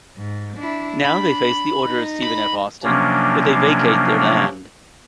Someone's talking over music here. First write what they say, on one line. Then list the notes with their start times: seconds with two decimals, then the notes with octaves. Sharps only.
Now they face the order of Stephen F. Austin that they vacate their land.
0.17 G#2
0.58 D4 E4
1.05 D4 B5
1.82 D#4
2.23 B5
2.84 C3 F3 F#3 A#3 C#4 D4